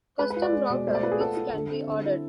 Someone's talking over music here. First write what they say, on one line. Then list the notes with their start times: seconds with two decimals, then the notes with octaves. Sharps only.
Custom router bits can be ordered.
0.19 G#3 B4
0.30 B4
0.37 F4
0.42 D5
0.53 G#3
0.70 B2
0.87 A3 C5
0.95 D5
1.03 F4 B4
1.11 G#4
1.20 B3 A4
1.37 F4
1.53 D3
1.70 C4
1.87 D3
2.04 E4